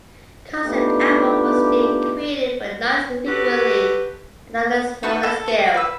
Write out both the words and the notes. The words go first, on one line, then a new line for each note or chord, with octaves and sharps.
Concept albums were still created, but not as frequently and on a smaller scale.
A3 B3 D4 D#4 F4 G4
F#4 G4 A4 B4
D#4 F#4 B4 A5
A4
C#6
B4 E6